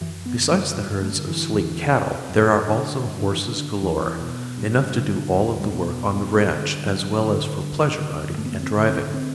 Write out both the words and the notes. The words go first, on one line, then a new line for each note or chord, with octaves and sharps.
Besides the herds of sleek cattle, there are also horses galore, enough to do all of the work on the ranch as well as for pleasure riding and driving.
F#2 E3
B3
D3
A3
G2 G3
A3
D3
E3
E2
C3
F#2
D3
G2
D3
E3
D3
D3
E2 E3
B2
G2
D3
E2 F#3
G3
B2
G2
D3
G2 F#3
D3
G2
D3
G2 A3
B3
A3
C4
D3
C4
C4